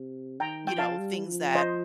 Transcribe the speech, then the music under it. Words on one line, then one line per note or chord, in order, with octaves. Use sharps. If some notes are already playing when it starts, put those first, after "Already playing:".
you know, things that
Already playing: C3
D#3 G5 A#5
F3 G5
F5 A5
G3
F3
C5 D#5